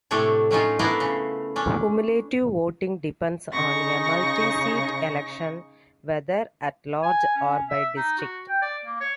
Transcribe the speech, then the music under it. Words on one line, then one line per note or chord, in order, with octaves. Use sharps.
Cumulative voting depends on a multi-seat election, whether at-large or by district.
A2 C3 A3 C4 D4 C#5
F#3 C#4 D#4 F4
A3 B3 D4 E4 F4 A#4
C#3
C#4 D4
C#3 D#4 C#6 A#6
G#5
C#4
E5
D#4
F#4
G5
D5
A#3
C#5